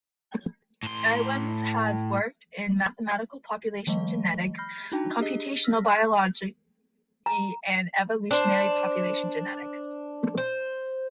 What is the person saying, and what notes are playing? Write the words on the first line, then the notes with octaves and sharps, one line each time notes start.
Ewens has worked in mathematical population genetics, computational biology, and evolutionary population genetics.
A2 C6
D#3 F3 G3 A3 D#5
B5 F6 G6 A#6 C7
D4 D#4 F#4 G5 A5
D4 G4 G#4 D#5
E6 F6 A#6 B6
A#5
D4 C5
C5